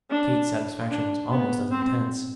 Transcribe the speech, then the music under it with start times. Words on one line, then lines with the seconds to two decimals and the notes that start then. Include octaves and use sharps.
Kate's satisfaction was almost as intense.
0.11 D4
0.91 D4
1.31 B3
1.71 C4